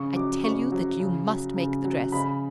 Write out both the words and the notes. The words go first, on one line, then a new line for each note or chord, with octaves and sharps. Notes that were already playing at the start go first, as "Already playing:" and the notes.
I tell you that you must make the dress.
Already playing: C#3 C#6
F#3 D6
C#3 C#6
F#3
C#3
F#3
C#3
F#3
C#3 B5